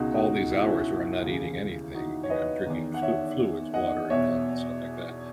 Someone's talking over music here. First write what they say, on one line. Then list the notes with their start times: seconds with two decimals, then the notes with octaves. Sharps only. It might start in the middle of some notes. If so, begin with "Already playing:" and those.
all these hours where I'm not eating anything. You know, I'm drinking fl fluids- water, and coffee, and stuff like that.
Already playing: C#2 B2 D#4 F#4
0.15 D#4 F#4
0.51 E4
0.58 F#4
0.65 C#4 E4
1.22 D#2 C#3 E3
1.95 D#4 F#4
2.23 C#5
2.30 B4 D#5
2.66 E2 D#3
2.94 F#5
3.02 C#5 E5
3.74 D#5 F#5
4.10 E2 B2 C#5 E5